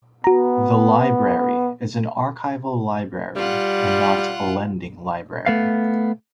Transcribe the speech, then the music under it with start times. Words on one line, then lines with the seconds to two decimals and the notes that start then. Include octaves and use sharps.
The Library is an archival library and not a lending library.
0.24 B3 F#4 A#5
3.36 G3 F4 F#5
5.46 A3 B3 F5